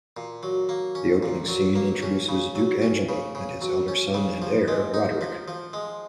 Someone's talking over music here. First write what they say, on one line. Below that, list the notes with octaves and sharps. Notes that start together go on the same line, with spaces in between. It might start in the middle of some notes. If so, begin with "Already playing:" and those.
The opening scene introduces Duke Angelo and his elder son and heir, Roderick.
A#2
F#3
A#3
C#4
A#2
F#3
A#3
C#4
C#3
F#3
C#4
C#3
C#3
F#3
C#4
C#3
F3
G#3
D#4
F3
F3
G#3